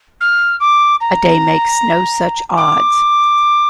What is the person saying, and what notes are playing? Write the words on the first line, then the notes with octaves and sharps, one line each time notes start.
A day makes no such odds.
F6
D6
A#5
D6